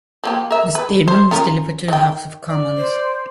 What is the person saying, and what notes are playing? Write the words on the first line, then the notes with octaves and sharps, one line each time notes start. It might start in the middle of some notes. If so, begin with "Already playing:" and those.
The statement was delivered to the House of Commons.
F3 A#3 G4
A#4 E5
B4
C5
C#4 F4 A#4
D#3 G5
D5
C5